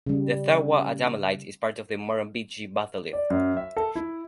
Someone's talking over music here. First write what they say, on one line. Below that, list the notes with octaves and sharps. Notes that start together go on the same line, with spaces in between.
The Tharwa Adamellite is part of the Murrumbidgee Batholith.
C#3 G3
D5
F#2
E5
A4
E4